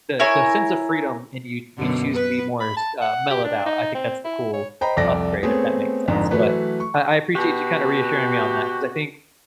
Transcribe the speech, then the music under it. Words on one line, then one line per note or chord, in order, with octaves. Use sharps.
the the sense of freedom and you we choose to be more s uh, mellowed out, I think that's the cool upgrade, if that makes sense, but, I I appreciate you kinda reassuring me on that 'cause I think
E4 A#4 C#5 G#5
F#2 B2 D3
B3 B4
B5
A5
F#5
G4
D4
D#4
C4
E4
C#5
C5 D#5 G5 A#5 B5
C2 F2 A4 D5 A#6
A3 B3 C4 G#4 C#5
G1 F2 G#2 D3
E3 F#3 A3 B4
C#6
B2 F#4 G4